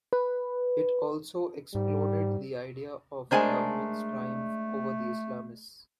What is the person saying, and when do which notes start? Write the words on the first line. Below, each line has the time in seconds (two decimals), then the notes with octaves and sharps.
It also "exploded" the idea of the government's triumph over the Islamists.
0.13 B4
1.75 G#2 G3
3.31 G#3 A3 D4 A#4 C5 G#5 A5